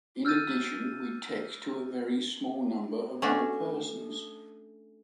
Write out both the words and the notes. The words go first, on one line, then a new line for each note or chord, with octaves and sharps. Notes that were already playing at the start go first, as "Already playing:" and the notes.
In addition we text to a very small number of other persons.
E6 F6 G6 A6 D#7
A3 C#4 D4 F#4